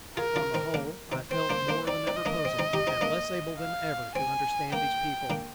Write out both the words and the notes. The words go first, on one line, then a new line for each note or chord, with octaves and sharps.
On the whole, I felt more than ever puzzled, and less able than ever to understand these people.
F4 G#4 A#4
D4 F4
C4 D#4
A#3 D4
C4 D#4
C4 C5
A#3 D4
A#3 D4
C4 D#4 D5
C4 D#4
D#5
A#3 D4
C4
C4 D#4
D#4 G4
C4 D#4
A#3 D4
F5
C4 G#5
A#3 G5
A#3 D4